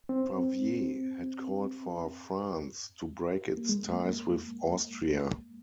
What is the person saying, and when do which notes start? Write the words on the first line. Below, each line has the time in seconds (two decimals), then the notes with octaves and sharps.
Favier had called for France to break its ties with Austria.
0.09 C4
3.57 A#3
3.69 G#3
3.92 A#3